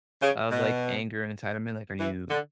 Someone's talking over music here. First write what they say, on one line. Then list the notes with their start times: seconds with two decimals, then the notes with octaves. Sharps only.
of, like, anger and entitlement, like, are you,
0.22 C#3
0.51 B2
2.00 E3
2.30 D3